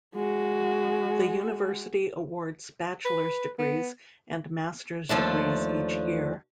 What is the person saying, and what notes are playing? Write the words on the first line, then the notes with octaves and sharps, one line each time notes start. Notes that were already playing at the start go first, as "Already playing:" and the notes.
The university awards bachelor's degrees and master's degrees each year.
G#3 F#4
B4
B3
D#2 F3 A3 D4